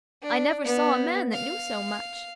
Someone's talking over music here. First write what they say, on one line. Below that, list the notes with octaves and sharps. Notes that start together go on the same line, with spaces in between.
"I never saw a man that knew so much!"
D4
B3
F5